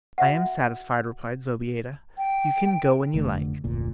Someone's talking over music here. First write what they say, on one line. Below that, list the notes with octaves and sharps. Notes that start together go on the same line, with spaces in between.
"I am satisfied," replied Zobeida; "you can go when you like."
F#4 E5 F#5
G5
F1 D3 A3
F1 D2 A#2